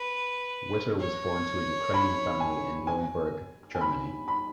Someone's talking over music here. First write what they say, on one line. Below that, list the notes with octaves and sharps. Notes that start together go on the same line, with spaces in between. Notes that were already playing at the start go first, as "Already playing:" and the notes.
Witer was born to a Ukrainian family in Leonberg, Germany.
Already playing: B4
C#5
B5
G#5
G#5
G#5
B5
B5